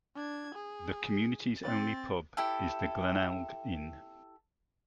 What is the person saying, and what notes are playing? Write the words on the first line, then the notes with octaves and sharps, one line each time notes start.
The community's only pub is the Glenelg Inn.
D4 G#6
G#4
C4 A6
E4 G4 A4